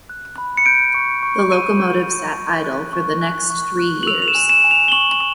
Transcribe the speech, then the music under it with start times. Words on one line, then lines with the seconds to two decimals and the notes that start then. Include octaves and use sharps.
The locomotive sat idle for the next three years.
0.09 F#6
0.38 B5
0.57 C#7
0.66 G6 D7
0.94 C#6
1.23 C#6
1.51 E6 D#7
1.79 G6
2.08 C#6
2.37 C#6
2.64 F#6
2.93 C#6
3.21 F#6
3.50 C#6
3.79 F#6
4.03 F#7
4.07 E6 F7
4.22 F7
4.28 E7
4.35 G#5
4.50 E7
4.64 G#5
4.71 F7
4.88 G7
4.92 C#6 F#7